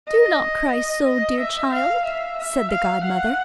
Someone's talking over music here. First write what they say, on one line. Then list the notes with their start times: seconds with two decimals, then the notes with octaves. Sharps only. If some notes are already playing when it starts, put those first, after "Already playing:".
'Do not cry so, dear child,' said the godmother.
0.08 D#5
1.06 D#5
1.40 E5
1.72 F5
2.05 E5
2.38 E5
2.71 F5
3.04 F#5